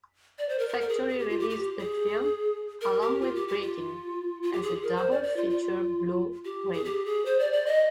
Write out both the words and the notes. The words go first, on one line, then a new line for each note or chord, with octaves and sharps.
Factory released the film, along with "Breakin"', as a double feature Blu-ray.
D5
C5
A#4
A#4
A#4
G#4
G#4
G4
F4
G4
G4
G#4
A#4
G4
F4
G4
G4
F4
F4
G4
G#4
A#4
C5
D5
D5
F4
F4
G4
G#4
G4
G#4
C5
D5
D5
D#5